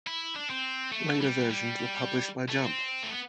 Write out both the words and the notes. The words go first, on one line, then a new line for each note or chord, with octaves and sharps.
Later versions were published by Jump!
E4
D4
C4
A3
G3
G3
A3
C4
A3
B3